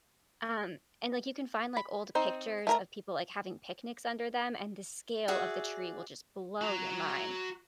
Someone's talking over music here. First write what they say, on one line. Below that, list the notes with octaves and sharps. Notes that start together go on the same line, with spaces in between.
um, and, like, you can find, like, old pictures of people, like, having picnics under them, and the scale of the tree will just blow your mind.
B5
C4 D#4 C5
A3 A#4 A#5
F#4 G#4 D5 E5
F#4 A#5